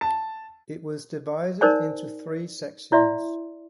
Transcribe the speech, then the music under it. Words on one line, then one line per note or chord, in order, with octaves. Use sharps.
It was divided into three sections.
A5
D#4 A#4 C5 D5 G#5
E4 D5 E5 C6